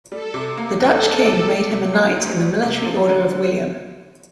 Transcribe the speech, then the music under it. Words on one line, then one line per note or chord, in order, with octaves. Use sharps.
The Dutch King made him a Knight in the Military Order of William.
G3 A4
C3
A#3
E2 A4
G3
C3
G3
C3
A#3
D2
G3
C3
F3
D3